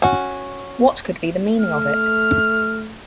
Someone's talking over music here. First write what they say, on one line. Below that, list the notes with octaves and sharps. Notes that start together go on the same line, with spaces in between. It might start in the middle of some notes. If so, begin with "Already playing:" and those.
What could be the meaning of it?
C#4 F#4
A3 F6